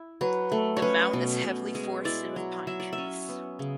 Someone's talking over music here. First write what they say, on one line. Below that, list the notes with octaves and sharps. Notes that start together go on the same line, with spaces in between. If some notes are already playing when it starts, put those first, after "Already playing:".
The mountain is heavily forested with pine trees.
Already playing: E4
F#3 B4
A3
C#5
C#4 B4
B2
B2
G#3
E4 D5
F#3
F#3 E5
D5
E5
C#4
B3
C#3